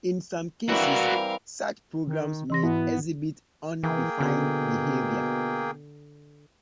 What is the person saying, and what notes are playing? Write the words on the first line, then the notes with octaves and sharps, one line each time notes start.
In some cases, such programs may exhibit undefined behavior.
E3 G3 C4 E4 F#4 A#4 F5
D#3
E3 C6 A#6
G#2 B3 E4
E3 A#3 G#4 G5
B2 D3